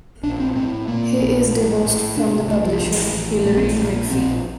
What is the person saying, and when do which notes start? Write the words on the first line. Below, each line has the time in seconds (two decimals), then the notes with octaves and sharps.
He is divorced from the publisher Hilary McPhee.
0.23 A#1 D4
0.40 C4
0.55 A2 C4
0.88 A#2 A#3
1.20 A#1
1.52 A2
1.85 A2
2.16 C3 D4
2.49 C2 A3
2.64 F3
2.81 A1
3.13 A1
3.45 A#1 A3
3.57 C4
3.62 A#3
3.70 A3
3.78 A#1 G3
3.94 A#3
4.10 A#1 C4